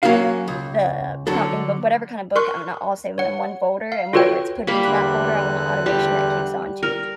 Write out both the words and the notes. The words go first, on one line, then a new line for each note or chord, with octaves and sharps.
the prompting book whatever kind of book, I'm gonna all save 'em in one folder, and whenever it's put into that folder, I want a automation that kicks on to
F#3 A#3 C#4 F#4 F5
C#2
D3 F#3 A4
A#4 C6 C#6 F#6
C#5 F#5
F5
F4 F#4 A4 B4 C#5 G5
G3 A#3 B5
E2 D3 F#6
G3
A#4